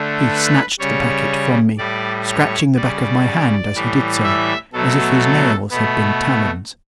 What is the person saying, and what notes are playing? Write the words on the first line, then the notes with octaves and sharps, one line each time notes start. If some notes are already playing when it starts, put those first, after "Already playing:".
He snatched the packet from me, scratching the back of my hand as he did so, as if his nails had been talons.
Already playing: D3 A3
B4
C#3 G3 C#5
A2 G3 D5
C#5
C#3 G3 D5
A2 E3 G3
E5
B2 F#3 A3 A4
A4
B2 A3 B3